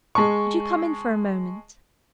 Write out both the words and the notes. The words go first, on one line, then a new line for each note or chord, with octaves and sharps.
Would you come in for a moment?
G#3 A5 C#6